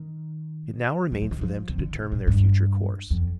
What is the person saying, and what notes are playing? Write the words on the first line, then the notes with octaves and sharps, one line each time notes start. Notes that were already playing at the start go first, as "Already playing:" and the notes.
It now remained for them to determine their future course.
Already playing: D#3
G3
F3
D#3
F3
C3
D3
C3
A#2
G2
F2